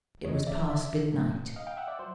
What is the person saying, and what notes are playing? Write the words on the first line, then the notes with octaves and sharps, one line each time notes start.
It was past midnight.
F2 C#3 E3 A3 C#5 D#5
D5 E5
D5 E5
G#2 F3 A3 D4
D#5 F5
F5 G5
E5 F#5
D5 E5
F#3 C5